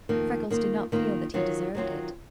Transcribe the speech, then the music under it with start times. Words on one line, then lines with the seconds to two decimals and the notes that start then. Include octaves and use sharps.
Freckles did not feel that he deserved it.
0.09 F2 D#3 A#3
0.50 D#3 A#3 F4
0.92 D#3 A#3 F4
1.34 D#3 F#3 C4 F4
1.75 D#3 F#3 C4 F4